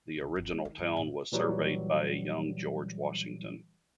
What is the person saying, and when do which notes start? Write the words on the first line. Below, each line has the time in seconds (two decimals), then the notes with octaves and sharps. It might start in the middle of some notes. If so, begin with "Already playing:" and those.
The original town was surveyed by a young George Washington.
0.21 C2
0.36 F#1
0.51 G#3
0.65 D#3
0.78 G2
0.97 A2
1.32 A#2 E3 F#3 G3